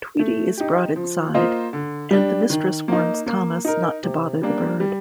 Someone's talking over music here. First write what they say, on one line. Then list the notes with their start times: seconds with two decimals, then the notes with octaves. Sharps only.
Tweety is brought inside, and the mistress warns Thomas not to bother the bird.
0.19 A3
0.57 D#4 G4
0.96 F3
1.34 A#3 F4 C5 D#5
1.73 D3
2.11 G3 D4
2.50 D#3
2.88 A#3 D#4
3.26 A#3
3.65 D#4 A#4
4.03 C3
4.42 G3 A#3 D4
4.80 G3